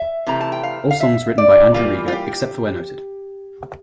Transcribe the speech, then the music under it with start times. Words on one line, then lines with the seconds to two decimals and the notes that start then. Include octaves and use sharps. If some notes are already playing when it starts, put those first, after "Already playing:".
All songs written by Andrew Rieger, except for where noted.
Already playing: E5
0.27 C3 E3 A3 A#5
0.41 A5
0.52 G5
0.63 F5
0.91 F5
1.00 E5
1.38 D5
1.74 E3 G3 A#3 F4
2.08 F4
2.12 G4